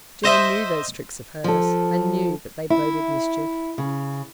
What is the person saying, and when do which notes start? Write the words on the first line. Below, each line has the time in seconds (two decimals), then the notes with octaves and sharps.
Joan knew those tricks of hers and knew that they boded mischief.
0.24 C5 D#5 E5
1.44 F3 A4
2.70 E4
3.78 C#3